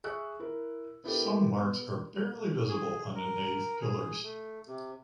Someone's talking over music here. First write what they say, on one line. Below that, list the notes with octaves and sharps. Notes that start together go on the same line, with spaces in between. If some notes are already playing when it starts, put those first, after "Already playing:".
Some marks are barely visible on the nave pillars.
G#4 E5 C#6 E6 F#6
E4 A#4
B3 D4 E4 G4 A4 A#4
B3
G#4
A#4
G#4
A3
C3